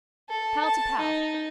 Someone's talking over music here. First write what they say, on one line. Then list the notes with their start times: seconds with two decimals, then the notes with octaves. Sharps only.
Pal to pal.
0.29 A4
0.65 A5
1.00 D#4